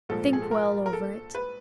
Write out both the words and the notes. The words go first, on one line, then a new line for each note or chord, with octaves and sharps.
Think well over it.
A#1 G#2 F3 A4
G#4
A4
A#4
A#4
A4
B4